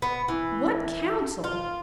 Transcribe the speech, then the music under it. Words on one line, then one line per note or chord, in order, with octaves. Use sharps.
"What council?"
B3
E3
F4